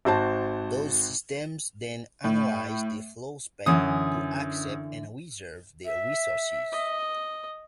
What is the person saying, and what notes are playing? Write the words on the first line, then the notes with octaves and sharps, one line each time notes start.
Those systems then analyse the "flowspec" to accept and reserve the resources.
G#1 F#4 C5 A5
A2
F#2 D3 E3 D#6
E5
D#5